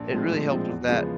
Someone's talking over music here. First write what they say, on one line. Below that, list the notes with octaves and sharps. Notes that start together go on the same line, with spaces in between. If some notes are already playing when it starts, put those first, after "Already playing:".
it really helped with that.
Already playing: A#1
A2 F3 G#3 C4
A#1
A2 F3 G#3 C4
E2
C#3 F3 G#3 B3